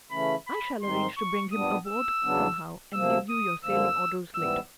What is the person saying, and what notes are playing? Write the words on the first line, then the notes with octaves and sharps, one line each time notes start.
"I shall arrange to bring him aboard somehow, and give you your sailing orders later."
C#3 E3 A3 C#4 B5
B5
G#2 D#3 G#3 C4 D#4 C6
C#6
A#2 G3 B3 D4 D#6
E6
E2 C#3 F#3 B3 D4
D2 C3 F3 A#3 E6
D#6
F#2 D3 F3 A#3 E6
G#2 E3 G3 B3 E6